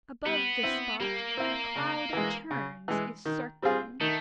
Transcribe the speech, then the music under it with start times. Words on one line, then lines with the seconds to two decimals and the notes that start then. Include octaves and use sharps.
Above the spot a cloud of terns is circling.
0.26 G3 B3
0.63 C4 E4
1.00 G3 A#3
1.37 C4 E4
1.76 C#3
2.13 E3 G#3
2.51 C#3
2.88 E3 G#3
3.25 D#3
3.62 G3 C4 F4 G#4
4.01 D#3 A3